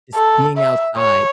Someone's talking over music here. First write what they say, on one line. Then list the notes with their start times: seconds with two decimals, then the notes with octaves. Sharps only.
just being outside,
0.15 A4
0.58 E5
0.97 C#5